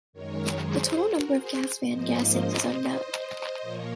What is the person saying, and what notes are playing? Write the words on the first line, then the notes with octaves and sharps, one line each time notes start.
The total number of gas van gassings is unknown.
F#2 D#3 G#3 A#4 C#5
G#4 C5
F#4 A#4
G#4 C5
G#2 F3 A#3 C5 D#5
A#2 F3 A#3 A#4 C#5